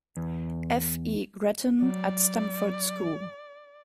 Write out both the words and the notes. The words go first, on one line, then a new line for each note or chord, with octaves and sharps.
F. E. Gretton at Stamford School.
E2
F#3 D5